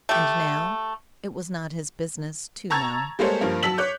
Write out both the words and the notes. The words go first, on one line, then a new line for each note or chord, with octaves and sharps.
And now it was not his business to know.
A3 G4
A5 A#5 C#6 E6 G#6 A6
G3 G#3 A#3 A4 C5 C#5
G2 F3 A#3
F#3 A5 E6 B6 F#7
C#5 D6 F#6 G6